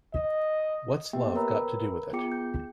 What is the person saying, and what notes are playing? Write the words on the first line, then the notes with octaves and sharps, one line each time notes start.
What's Love Got to Do with It?
D#5
A#3 B3 G4 E5 G5
A#4 B4 C#5 A#5 B5 E6
B3 F4 G#4 G5 D6 C#7
G6